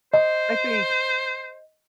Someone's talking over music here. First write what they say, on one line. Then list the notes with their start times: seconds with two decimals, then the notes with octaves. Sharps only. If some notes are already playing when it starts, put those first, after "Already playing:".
I think
0.14 C5 D#5